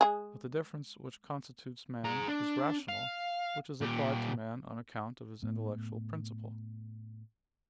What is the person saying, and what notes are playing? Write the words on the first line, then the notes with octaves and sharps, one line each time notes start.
But the difference which constitutes man is "rational," which is applied to man on account of his intellectual principle.
G#3 G#4
G#4 A#5
D4
F5
A#2 G4
A2 A3 B3